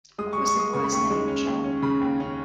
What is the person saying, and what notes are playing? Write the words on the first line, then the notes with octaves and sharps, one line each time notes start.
What was the boy's name, Jo?
G#3 D#6
C#6
G#3
C#6
G#3 D#6
C#3 C#6
B5
D#2 C#6
G#3
C#4
D#2
C#4
C#3 B5
D#2
C#4